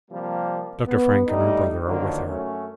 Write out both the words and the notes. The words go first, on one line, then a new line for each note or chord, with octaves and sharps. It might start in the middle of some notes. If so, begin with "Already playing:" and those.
Dr. Frank and her brother are with her.
C3 F3 G3 A#3
B3
G3 A3 D#4
D3 D#3 F3 F#3 A#3
F#2 F#3 A3 C#4